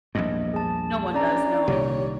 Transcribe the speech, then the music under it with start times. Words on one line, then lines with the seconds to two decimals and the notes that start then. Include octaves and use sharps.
No one does, no.
0.15 A#1 E2 G2 D#5
0.54 G#4 A5
1.14 C#4 D4 D5 A#5
1.68 C2 A#2 D#3 G4 C#5